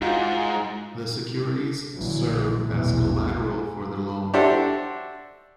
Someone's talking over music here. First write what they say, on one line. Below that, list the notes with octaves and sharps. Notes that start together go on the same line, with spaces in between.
The securities serve as collateral for the loan.
G#2 D#4 F4 F#4
A#1 D3 E3 F#3
A#1 E2 B2 E3 F#3 A3
D4 F#4 G4 A4 C5 E5